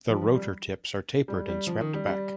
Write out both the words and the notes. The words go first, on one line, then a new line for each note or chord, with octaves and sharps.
The rotor tips are tapered and swept back.
F3
F3
G3
G3
G3
F3
D#3
G3
G3